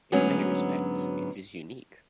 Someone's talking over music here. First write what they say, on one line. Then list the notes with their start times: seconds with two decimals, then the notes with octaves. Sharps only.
In many respects it is unique.
0.12 D2 G#2 F#3 B3 C#4 A#5